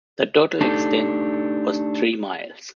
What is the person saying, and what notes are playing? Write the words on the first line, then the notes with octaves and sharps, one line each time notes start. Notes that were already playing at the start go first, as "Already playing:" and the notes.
The total extent was three miles.
A3 D4 D#4 G4 A4